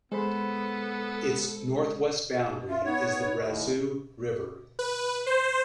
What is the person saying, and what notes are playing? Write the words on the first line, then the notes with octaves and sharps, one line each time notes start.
Its northwest boundary is the Brazeau River.
G#3 B3 A4 C5 B5
B2
F4 E5
B3 D#4 C#5
D#2 A2 D#5
B4
C5